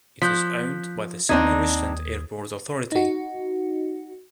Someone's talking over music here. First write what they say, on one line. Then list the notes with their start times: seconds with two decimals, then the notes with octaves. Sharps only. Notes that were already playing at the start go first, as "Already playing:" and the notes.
It is owned by the Sidney Richland Airport Authority.
0.22 F3 F#6 G6 B6
1.29 D#2 C4 D4 D#4 D#6 G#6
2.92 D#4 F#4